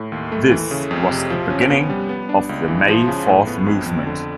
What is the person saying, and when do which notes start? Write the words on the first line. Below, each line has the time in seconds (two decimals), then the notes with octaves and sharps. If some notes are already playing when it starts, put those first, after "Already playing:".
This was the beginning of the May Fourth Movement.
Already playing: A2
0.12 D#2
0.32 A3
0.51 E3
0.71 C#3
0.91 F2
1.10 C3
1.30 F3
1.50 C#4
1.70 B3
1.90 G3
2.09 B3
2.29 D4
2.49 C#2
2.68 E3
2.88 F3
3.08 C#3
3.27 A2
3.47 B3
3.66 F2
3.86 F2
4.06 D3